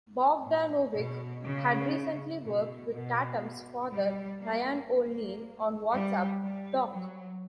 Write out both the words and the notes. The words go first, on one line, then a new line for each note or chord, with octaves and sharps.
Bogdanovich had recently worked with Tatum's father Ryan O'Neal on What's Up, Doc?
A#2
B2
C#3
B2
B2
G3
A#3
A#3
G3
G3
F#3